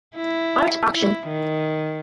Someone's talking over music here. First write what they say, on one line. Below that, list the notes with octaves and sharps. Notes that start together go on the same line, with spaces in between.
Art Auction.
E4
E4
D#3